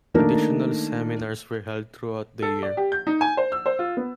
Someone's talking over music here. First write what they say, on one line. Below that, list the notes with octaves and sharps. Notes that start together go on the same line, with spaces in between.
Additional seminars were held throughout the year.
D#3 A3 A#3 D4 D#4 A#4
A4
D5
G4
G6
D#4
G#5
C5
E6
C5
F4
B3